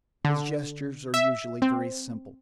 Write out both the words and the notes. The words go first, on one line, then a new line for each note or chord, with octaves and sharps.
His gestures are usually very simple.
D3
E5
C4